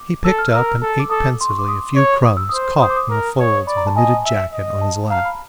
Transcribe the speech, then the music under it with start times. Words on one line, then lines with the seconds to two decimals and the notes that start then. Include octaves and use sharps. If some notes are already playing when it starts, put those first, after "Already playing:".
He picked up and ate pensively a few crumbs caught in the folds of the knitted jacket on his lap.
Already playing: D6
0.25 A4 E6
0.38 F6
0.53 A#4 E6
0.82 A4
0.99 D6
1.10 A4 D#6
1.41 C6
1.49 C#6
1.59 D6
1.68 D#6
1.96 C#5
2.24 D#6
2.37 E6
2.49 C5 D#6
2.82 C5 D#6
2.90 D6
2.96 D#6
3.11 A#4
3.39 C#5 C#6
3.67 D5 B5
3.77 A#5
3.87 A5
3.96 D#5 G#5
4.25 E5
4.53 D#5
4.81 A5
5.10 F5 A#5
5.25 B5